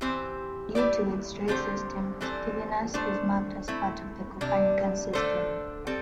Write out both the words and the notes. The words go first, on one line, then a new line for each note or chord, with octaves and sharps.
Due to its ray system, Stevinus is mapped as part of the Copernican System.
E3 C4 G4 C5
A3 E4 G4 D5
D3 A3 C4 G4 C5
E3 G3 C4 A4 C5
A3 D4 C5
A3 C4 E4
C3 G3 D4
D3 A3 D4 A4 C5
G3 C4 A4